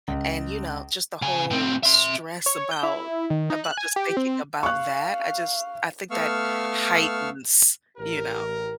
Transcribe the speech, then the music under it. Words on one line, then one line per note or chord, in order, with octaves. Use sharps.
and, you know, just the whole stress about about just thinking about that, I just, I think that heightens, you know.
C#2
C#3 G#5
A2 C4
E5 C6
C#5
G6
E4
D#3
D#4
F#6
G#5
G4
C4
F5 C#6 F#6
A3 B3 F5 C#6 E6 F6
A1 G4 A#4